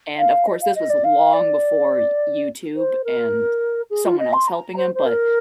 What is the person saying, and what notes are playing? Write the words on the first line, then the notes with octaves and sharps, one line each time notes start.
And of course this was long before Y YouTube and someone else helping him, but
F5
D#5
F5
D#5
D5
F5
D5
C5
A#4
G#4
F4
D#5
C6
A#5
C5
C5
A#4